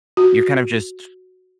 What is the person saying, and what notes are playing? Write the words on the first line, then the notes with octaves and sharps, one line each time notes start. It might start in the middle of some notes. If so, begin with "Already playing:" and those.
you're kind of just
F#4